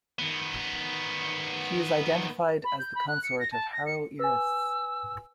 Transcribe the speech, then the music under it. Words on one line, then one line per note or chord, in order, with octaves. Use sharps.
She is identified as the consort of Haroeris.
D#3 B3
B5
G6
B5
F#6
C#7
A#6
A5
A#6
C#7
B4 G#5 E6